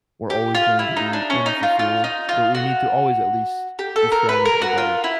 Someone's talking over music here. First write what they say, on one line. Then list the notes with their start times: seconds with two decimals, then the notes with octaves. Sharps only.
We're always going to be unfulfilled, but we need to always at least be striving to be better,
0.30 G4
0.55 F4
0.79 E4
0.97 D#4
1.13 D4
1.30 C#4
1.46 D#4
1.63 F4
1.79 F4
2.04 D#4
2.29 F4
2.55 F#4
3.79 G4
3.96 A4
4.12 A#4
4.29 B4
4.45 A#4
4.62 F#4
4.78 F4
5.04 E4